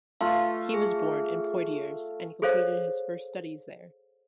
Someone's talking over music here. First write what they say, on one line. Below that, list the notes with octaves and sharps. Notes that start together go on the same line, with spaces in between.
He was born in Poitiers, and completed his first studies there.
A3 F4 F5
G#4
G#4 A4 C5 C#5 F5